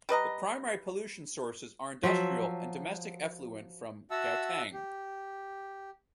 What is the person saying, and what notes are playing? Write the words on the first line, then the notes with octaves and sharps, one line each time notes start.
The primary pollution sources are industrial and domestic effluent from Gauteng.
G3 B4 D#5 A#5
F3 F#3 E5
F#4 E5 F#5 A5 E6
G4